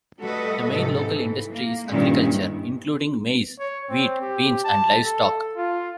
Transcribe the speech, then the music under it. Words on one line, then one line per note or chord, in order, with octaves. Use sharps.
The main local industry is agriculture, including maize, wheat, beans, and livestock.
G3 A3 F#4 A4 B4 D#5
G#2 C3 A4
E3
A#3
G2 A#2 D#3 G#3 C#4 E4
C#5
C4
G4
A5
A4
F4